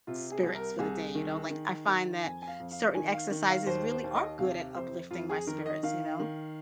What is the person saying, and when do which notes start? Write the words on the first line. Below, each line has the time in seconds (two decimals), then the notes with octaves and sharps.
spirits for the day, you know, like, I find that certain exercises really are good at uplifting my spirits, you know?
0.07 C3 F4
0.32 G#4
0.43 C2
0.55 A#4
0.79 C2 G#4
1.15 D#3
1.51 D#3
1.87 D#3
2.24 F2 G#5
2.42 G#5
2.47 F5
2.60 F2
2.71 F5
2.95 D#3 G#5
3.13 F5
3.31 D#3
3.49 F5
3.67 D#2 C5
3.91 C5
4.04 D#2
4.15 D#5
4.39 C3 F5
4.75 F2 C5
5.11 F2 F4
5.30 G#4
5.47 D#3 A#4
5.66 D#5
5.83 D#3 F5
6.20 D#3